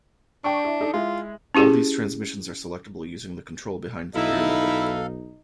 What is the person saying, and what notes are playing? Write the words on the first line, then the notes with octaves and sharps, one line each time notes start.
All these transmissions are selectable using the control behind the gear lever.
D4 G5 C#6
E4
D#4 A4
G#3 E4 F4
C#4 E4 G4 G#4
B1 D#4 E4 A4 F5